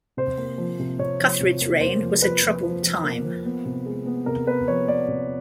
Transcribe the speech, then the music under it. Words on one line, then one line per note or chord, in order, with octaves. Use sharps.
Cuthred's reign was a troubled time.
C3 C5
A#3
F3
C3
C3 C#5
F3
C3
A#3
A#3 C5
F3
F3 B4
F3
F3
F3
A#3
F3
B3
C3
G#3
B3
C3 A#4
B3 B4
F3 C#5
B3 D5
C3